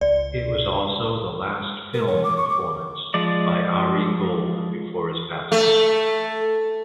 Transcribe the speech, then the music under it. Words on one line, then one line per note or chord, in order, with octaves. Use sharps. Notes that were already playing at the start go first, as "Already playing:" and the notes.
It was also the last film performance by Ari Gold before his passing.
C#2 D5
A#4
C#5
D6
C#6
D6
F3 G#3 D5
A3